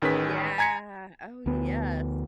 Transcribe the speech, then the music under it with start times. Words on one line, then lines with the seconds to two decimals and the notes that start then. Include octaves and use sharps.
Yeah, oh, yes.
0.02 A1 D#3 C#4 G#4 B4 B6
0.58 G#5 A#5 G#6 B6 C#7
1.46 D2 B3